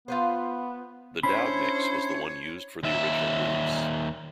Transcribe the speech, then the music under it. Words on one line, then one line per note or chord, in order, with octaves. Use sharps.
The Dowd mix was the one used for the original release.
B3 F4 B4 C5
C#4 D4 E4 C5 C#5 B5
D#2 E5